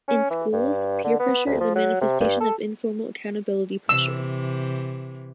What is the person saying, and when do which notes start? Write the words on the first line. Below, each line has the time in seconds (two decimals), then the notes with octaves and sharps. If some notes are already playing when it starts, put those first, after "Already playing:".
In schools, peer pressure is a manifestation of informal accountability pressure.
0.08 C#4
0.30 E3
0.52 G2
1.04 D3
1.19 B3
1.46 D2
1.60 F3
1.75 F#3
2.01 C3
2.20 G2
2.40 A4
3.89 C3 E3 E6